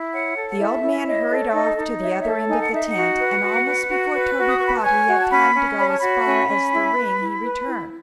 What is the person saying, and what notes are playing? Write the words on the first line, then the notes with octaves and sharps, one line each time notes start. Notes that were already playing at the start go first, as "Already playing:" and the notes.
The old man hurried off to the other end of the tent, and almost before Toby thought he had time to go as far as the ring he returned.
Already playing: E4
C#5 F#5
A4
F#5
E4 E5
E4
C#5 D#5
A4
E5
D#4 D#5
D#4
C#5 E5
F#5
A4 E5
D#4 G#5
F#5
D#4 E5
F#5
F#4
B4
F#4
B4
F#4
B4
F#4
D#6
B4 C#6
B5
A5
C#5 G#5
F#4
A5
C#4 B5
C#4
C#5 B5
A5
F#4 B5
C#4
C#4
E4
B4
E4
B4
E4